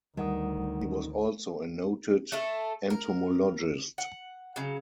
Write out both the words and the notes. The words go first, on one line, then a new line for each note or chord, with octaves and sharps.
He was also a noted entomologist.
D2 D#3 G3 F#5 D#6
A3 A4
A#4
F#5
C#3 F#3